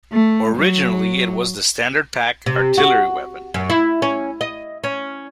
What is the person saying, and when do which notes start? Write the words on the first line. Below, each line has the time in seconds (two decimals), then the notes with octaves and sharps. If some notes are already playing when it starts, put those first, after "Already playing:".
Originally it was the standard pack artillery weapon.
0.12 A3
0.56 F#3
2.46 C3
2.78 F#4
3.54 F#2
3.70 E4
4.02 C#4
4.41 D#5
4.84 C#4